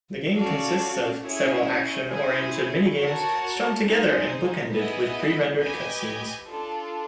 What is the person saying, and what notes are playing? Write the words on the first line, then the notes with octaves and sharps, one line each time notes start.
The game consists of several action-oriented minigames strung together and book-ended with pre-rendered cutscenes.
C#4 F#4 A4 D5 F5
C#4 E4 G#4 C#5
C#4 E4 G#4 C5
F#4 A#4 C#5 F#5 A5
D#4 G#4 C5
B3 E4 G#4 B4 D#5
G4 B4 D#5 G#5
D4 F4 A4